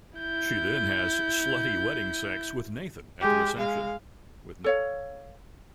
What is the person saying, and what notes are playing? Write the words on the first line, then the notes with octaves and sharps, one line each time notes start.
She then has "slutty wedding sex" with Nathan at the reception.
E4 G6
G#3 G4
G#3 F5
A4 C#5 F5